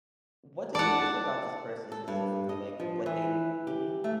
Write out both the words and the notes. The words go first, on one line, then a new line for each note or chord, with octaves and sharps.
what do you miss about this person specifically? Like, what they'd mhm.
D5 F#5 A5
A4
G2
D#5
F3
E3
G4
A3